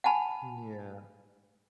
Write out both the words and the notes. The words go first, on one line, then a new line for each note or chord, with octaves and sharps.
Mm, yeah.
F#5 G#5 A5 B5